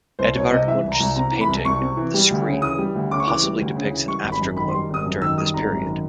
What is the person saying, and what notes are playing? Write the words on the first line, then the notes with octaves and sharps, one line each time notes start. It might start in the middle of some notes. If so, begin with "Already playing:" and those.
Edvard Munch's painting "The Scream" possibly depicts an afterglow during this period.
C2 C5
C2 C#5
C3 D#5
E3 E5
C2
A#5
C2
C3 A#5
E3
B5
C2
C2 C#6
C3
E3
G3
D2
C#3
E3 D#6
G3
D2
C#3 D6
C#6
E3 D6
G3
D2
C#3
E3
G3 C#6
G#1
B5
F#2
D#3 B5
C6
G3
G#1 D#6
F#2
D#3 E6
G3 D#6
G#1 A#5
F#2
D#3